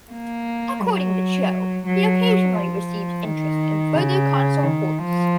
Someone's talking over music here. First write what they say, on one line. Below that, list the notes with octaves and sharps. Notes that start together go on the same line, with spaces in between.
According to Cho, he occasionally receives interest in further console ports.
A#3
F#3
F#3
F3
D#3
C#3
D#3
F3